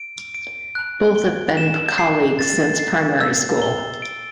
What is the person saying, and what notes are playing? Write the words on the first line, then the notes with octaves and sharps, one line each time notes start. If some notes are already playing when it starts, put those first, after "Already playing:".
Both has been colleagues since primary school.
Already playing: D7
D7
F#6
G7
E7
C7
A6
C7
E6
G7
D7